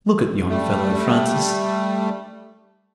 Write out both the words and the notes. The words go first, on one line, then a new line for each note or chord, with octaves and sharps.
Look at yon fellow, Francis!
G3 A3